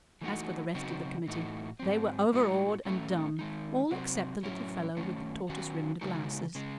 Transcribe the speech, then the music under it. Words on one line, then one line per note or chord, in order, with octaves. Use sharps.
As for the rest of the committee, they were overawed and dumb, all except the little fellow with the tortoise-rimmed glasses.
E3 A3 D#4 F#4
C#3 F#3 C4 D#4 F#4
A2 E3 A3 D#4 F#4
G#2 F#3 C4
A2 G#3 D#4 F#4
A2 F#3 A3 C#4
D#3 G#3 D#4
C3 F#3 C4 F#4
A2 F#3 C#4 E4
D#3 F#3 A3 C#4
D#3 F#3 C#4 F#4
C#3 G#3 D#4 F#4
C#3 G#3